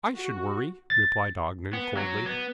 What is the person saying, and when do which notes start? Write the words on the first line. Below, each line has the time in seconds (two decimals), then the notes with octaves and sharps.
"I should worry!" replied Ogden coldly.
0.15 F#4
0.90 A6
1.73 B3
1.97 F#3
2.26 B3